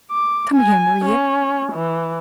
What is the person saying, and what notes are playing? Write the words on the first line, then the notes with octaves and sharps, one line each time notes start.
Come here, Maria!
D6
G#5
C#4
E3